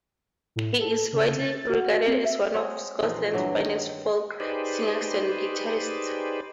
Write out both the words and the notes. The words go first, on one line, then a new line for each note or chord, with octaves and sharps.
He is widely regarded as one of Scotland's finest folk singers and guitarists.
A2
A4
C#3
A6
F#4
C4
E5
G#3 C4 F#4 C#5
A#2 E3 F3 D#4
G2 E3 F#3 G4
D#3
D#4 G4 G#4 B4 C5 D5